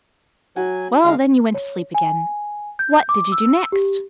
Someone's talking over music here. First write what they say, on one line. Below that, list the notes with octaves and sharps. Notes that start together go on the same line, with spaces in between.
"Well, then you went to sleep again. What did you do next?"
F#3 F#4 G#5
D3 G#3 F5
C#5
G#5
G6
D6
E6
G4